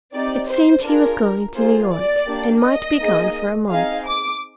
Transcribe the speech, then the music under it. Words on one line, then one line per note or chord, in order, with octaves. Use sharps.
It seemed he was going to New York, and might be gone for a month.
C4 D#4 G4 D5
C5
D4 F4 G#4 A#4
A#3 F4 G#4 C5
D5
A#3 D4 G4
D#5
A#3 D#4 G#4
C4 D#4 G#4 F5
D6